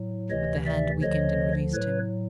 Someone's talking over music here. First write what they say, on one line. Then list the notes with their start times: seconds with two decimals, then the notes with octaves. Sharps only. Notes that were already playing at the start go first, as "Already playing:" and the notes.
But the hand weakened and released him.
Already playing: A2 F#3
0.30 D2 C3 E3 C#5 D#5
0.66 D5 E5
1.02 D2 D3 F3 C#5 D#5
1.73 A2 F#3 B4 C#5